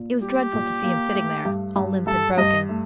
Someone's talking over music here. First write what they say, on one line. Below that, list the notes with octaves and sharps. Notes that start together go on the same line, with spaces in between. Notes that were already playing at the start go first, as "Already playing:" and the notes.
It was dreadful to see him sitting there, all limp and broken.
Already playing: A#2
G3 G4
A#2
A#3
A3
G2
G2
G2 A4
G2 D#5
A3